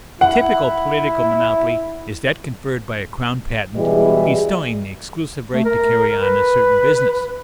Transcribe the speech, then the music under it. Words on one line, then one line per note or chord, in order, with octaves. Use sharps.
The typical political monopoly is that conferred by a crown patent bestowing the exclusive right to carry on a certain business.
E4 F#5
B2 E3 G3 G#3 E4 G#4
A3
A#4
B4